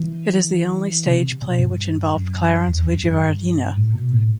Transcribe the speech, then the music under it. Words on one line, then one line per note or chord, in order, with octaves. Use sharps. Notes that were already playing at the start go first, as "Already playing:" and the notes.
It is the only stage play which involved Clarence Wijewardena.
Already playing: E3
C3
B2
G2
F#2
E2
F#2
F#2
G2
A2
B2
A2